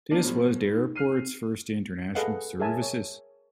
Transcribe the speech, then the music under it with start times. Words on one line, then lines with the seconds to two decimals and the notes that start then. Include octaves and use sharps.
This was the airport's first international services.
0.11 A#3 B3 D4
0.23 A2 F3 G3
0.69 D#4
0.96 F6 C7 D#7
1.12 C4
2.15 G#4 A4 B4 D#5 F5 F#5
2.60 G#4 A#4 C#5 E5 G#5 A5
2.82 C#5